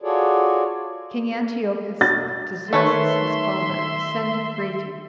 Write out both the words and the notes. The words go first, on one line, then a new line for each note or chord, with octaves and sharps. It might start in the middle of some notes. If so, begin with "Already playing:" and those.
King Antiochus To Zeuxis His Father, Sendeth Greeting.
F4 F#4 G#4 A4 C#5 D5
A6
D#3 A3 B4 C#5 E5 C6